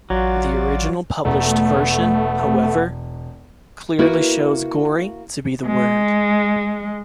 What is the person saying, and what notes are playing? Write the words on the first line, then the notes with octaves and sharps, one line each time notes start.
The original published version, however, clearly shows "gory" to be the word.
A1 F#3 F4 F#4 D5
E1 A3 B3 A#5
A#3 E4 F#4 A#4 B4
G#3